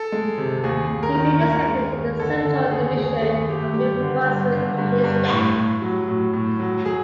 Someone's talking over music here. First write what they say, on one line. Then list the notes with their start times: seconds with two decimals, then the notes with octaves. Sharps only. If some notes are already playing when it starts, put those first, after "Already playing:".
He represented the senatorial division of New Brunswick until his death.
Already playing: A4
0.12 G#3
0.38 C3
0.63 D#2 G#4
0.90 D#2
1.03 A#4
1.15 D#3
1.41 D#2 A#4
1.67 G#3
1.93 D#2
2.19 D3 A4
2.45 D3 A4
2.71 D#2 G#4
2.96 D#2 G#4
3.22 D#2 G#4
3.49 D#2 G4
3.74 G2 G4
4.00 D3
4.26 G2
4.53 D3
4.78 G2
5.04 G2
5.30 A2
5.56 A2
5.82 F#3
6.08 A2
6.34 A2
6.60 F#3
6.85 F#3 G#4